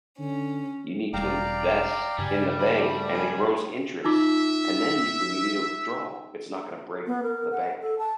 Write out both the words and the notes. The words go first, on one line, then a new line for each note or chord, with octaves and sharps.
You need to invest in the bank, and it grows interest, and then you when you need to withdrawal, it's not gonna break the bank."
D3 C#4
E1 G3 D5 F5 G5 A#5
G2 C#3 G3 G#5
A3 B5
B3 D4 G#5
D#4 F4 E5 D6
B3
A#4
F#5
A4
A5